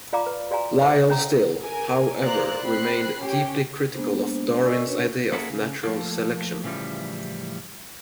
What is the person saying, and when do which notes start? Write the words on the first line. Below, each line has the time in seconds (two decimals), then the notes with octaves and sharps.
Lyell still, however, remained deeply critical of Darwin's idea of natural selection.
0.13 F4 D5 F5 A#5 D6
0.26 B4
0.51 F#4 D5 F5 G#5 A#5
0.81 E4 C5 E5
1.10 C#4 A#5
1.61 A#4 G#5
2.20 A#3 C5 D5 A#5 F#6
2.63 C4 B5 F#6 C7
3.20 C#4 G4 C#5 G5
3.94 G#3 A#3 B3 D4 C5
4.64 A#4 D5 D#5 G#5 C#6 E6
4.86 C#4 D4 F#4 B4 C#5
5.32 A#3 C#4 E4 F#4 G#4 A4
5.49 C#3
5.83 F3 A3 A#3
6.64 A2 C#3 E3 F3 G3